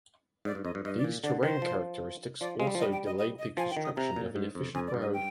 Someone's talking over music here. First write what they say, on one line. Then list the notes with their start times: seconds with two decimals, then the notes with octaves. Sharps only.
These terrain characteristics also delayed the construction of an efficient road.
0.45 G#2 D5
0.55 G2
0.65 F2 D#5
0.75 G2
0.85 G2 D#5
0.98 D5
1.04 A#2
1.24 D3 D5
1.43 D#3 C5
1.62 F3
2.40 F3 D5
2.60 G#3 F5
2.67 G3
2.75 F3
2.80 D#5
2.83 G3
2.92 G5
3.06 D#5
3.18 D#5
3.39 D#5
3.57 F3 G#5
3.71 G5
3.77 D#3
3.84 D#6
3.96 C3 A#5
4.16 A#2
4.36 G#2
4.55 F2
4.75 F2 G#5
4.88 D5
4.94 G2
5.01 D#5
5.14 G5